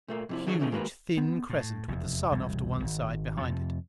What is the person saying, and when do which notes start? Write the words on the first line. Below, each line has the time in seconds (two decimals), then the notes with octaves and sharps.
A huge, thin crescent, with the Sun off to one side behind it.
0.08 A#2 A3 A#3
0.29 F2 C3 E4
0.47 D3 D#3 F#4 G#4 B4 C#5
0.59 D3 E3 A3 C#4 D#4 G#4
0.71 D#2 G#3 A#3 F#4 A#4 B4
1.17 B3 C4
1.50 A2
1.88 F1 E2
2.31 E1 C2 G2
2.83 G#1
3.37 F2 C3 F3